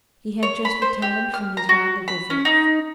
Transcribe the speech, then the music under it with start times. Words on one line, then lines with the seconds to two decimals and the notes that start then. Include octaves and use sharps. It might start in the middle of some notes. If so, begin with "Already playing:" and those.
He had just returned from his round of visits.
0.43 C#5
0.65 B5
0.82 C5
1.02 G4
1.34 F6
1.57 A#5
1.69 F#4
2.08 B5
2.30 C#4
2.45 D#4